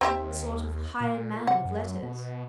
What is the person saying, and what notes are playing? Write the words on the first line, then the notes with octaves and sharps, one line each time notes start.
A sort of hired man of letters!
D#2 C4 G4 E5
A#2
C3 F#5
F#2
B2